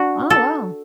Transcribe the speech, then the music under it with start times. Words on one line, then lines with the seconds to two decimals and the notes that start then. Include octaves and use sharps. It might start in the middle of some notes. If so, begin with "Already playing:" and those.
Oh, wow.
Already playing: D4 F#4
0.30 A4